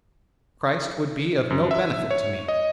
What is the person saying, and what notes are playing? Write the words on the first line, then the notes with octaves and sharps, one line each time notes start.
Christ would be of no benefit to me.
F#2
E5
C#5
D#5